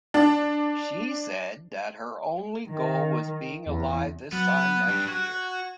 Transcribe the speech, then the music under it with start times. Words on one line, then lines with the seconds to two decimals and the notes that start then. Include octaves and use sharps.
She said that her only goal was "being alive this time next year".
0.14 D4
2.68 D#3
3.67 E2
4.33 F#3 B3 F#6
4.88 G2 G3
5.08 F#4 G#6